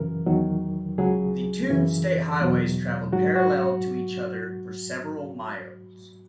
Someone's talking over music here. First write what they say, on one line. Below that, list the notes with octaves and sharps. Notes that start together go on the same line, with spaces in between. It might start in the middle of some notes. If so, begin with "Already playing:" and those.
The two state highways traveled parallel to each other for several miles.
Already playing: F#2 C#3 E3 A#4
E2 D#3 F#3
C#2 C#3 F#3 G#4
F#2 C#3 E3
E2 B2 F#3
G#2 F#3 F#4
F#4